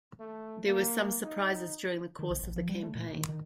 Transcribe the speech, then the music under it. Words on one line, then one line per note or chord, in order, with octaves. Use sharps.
There were some surprises during the course of the campaign.
A3
A#3
D#4
D#3
B1
A#1
F3
G3
A3
A#2
D#3
D#3